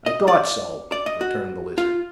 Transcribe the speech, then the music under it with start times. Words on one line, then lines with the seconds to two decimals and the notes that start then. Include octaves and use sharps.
"I thought so," returned the Lizard.
0.06 D#5
0.28 D5
0.92 D5
1.06 D#5
1.21 F#4
1.78 F4